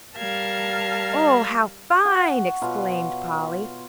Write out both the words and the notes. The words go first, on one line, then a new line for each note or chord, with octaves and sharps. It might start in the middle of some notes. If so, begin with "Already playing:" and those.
"Oh, how fine!" exclaimed Polly.
G3 A#4 F5 A5 F6 G#6
F#4 G#5
B2 F4 C#5 B5